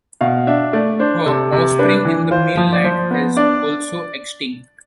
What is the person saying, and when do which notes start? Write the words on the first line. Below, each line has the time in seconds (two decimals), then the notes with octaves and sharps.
Her offspring in the male line has also extinct.
0.21 B2 F5
0.47 D4 E5
0.73 A3 D5
0.99 D4 C5
1.26 C3 A4
1.52 C3
1.79 D4 B4
2.05 E3
2.31 F4 C5
2.57 F3
2.73 D5
2.84 F3 C5
3.11 B3
3.36 D4 D5